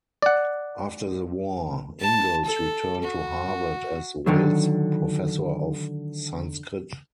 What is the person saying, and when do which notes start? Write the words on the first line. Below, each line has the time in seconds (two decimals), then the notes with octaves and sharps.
After the war, Ingalls returned to Harvard as Wales Professor of Sanskrit.
0.22 D5 F#5
2.00 A5
2.45 A4
3.03 F#4
4.26 D3 D#3 F#3